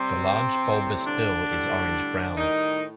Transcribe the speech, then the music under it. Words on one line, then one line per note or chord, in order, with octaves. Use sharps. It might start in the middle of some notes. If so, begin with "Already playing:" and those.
The large, bulbous bill is orange-brown.
Already playing: C3 G3 C4
A2 G3
D3 D4
A2 G3
A2 D#3 G3 D#4